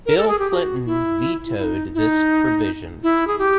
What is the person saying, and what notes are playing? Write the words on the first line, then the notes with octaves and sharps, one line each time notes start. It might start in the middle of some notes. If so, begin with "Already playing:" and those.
Bill Clinton vetoed this provision.
A#4
A4
G#4
G4
G4
F#4
E4
E4
E4
D#4
E4
D#4
E4
G#4
G4